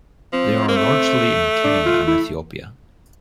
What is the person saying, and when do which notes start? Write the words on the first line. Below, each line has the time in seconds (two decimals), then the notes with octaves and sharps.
They are largely in Kenya and Ethiopia.
0.33 F3 C4
0.68 A#3
0.76 A3
1.64 D4
1.86 F4
2.08 E4